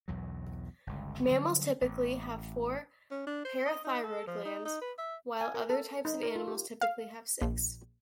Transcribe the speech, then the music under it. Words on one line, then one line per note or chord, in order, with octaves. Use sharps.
Mammals typically have four parathyroid glands, while other types of animals typically have six.
B1 E2 F#3
G1 C#2
D3 F#3 G3
A1
C#4
D4
C5
D#5
D#4
A4
F3
D#4
D#4
B4
E5
G#5
A#4
A4
D#4
A#4
F4
G4
F5
A#1